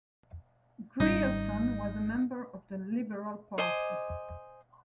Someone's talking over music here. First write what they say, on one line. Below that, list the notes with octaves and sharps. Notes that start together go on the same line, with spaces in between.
Grierson was a member of the Liberal Party.
G#1 G3 C#4 D#4
C5 D#5 G#5 D6